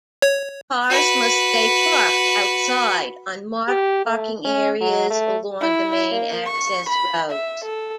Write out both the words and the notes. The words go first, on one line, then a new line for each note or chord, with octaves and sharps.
Cars must stay parked outside on marked parking areas along the main access roads.
C#5
F#4 B4
G4
A3
C#4
F#3
A3
E4
A#3
C#6
B5
E5
A4